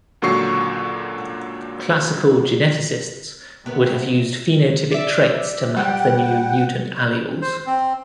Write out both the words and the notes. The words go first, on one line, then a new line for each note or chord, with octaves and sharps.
Classical geneticists would have used phenotypic traits to map the new mutant alleles.
C#2 A#2 D3 F#3 C#6 C7
C3 B3 A#4
D5 E5
G3 F#5 G5
C5
C4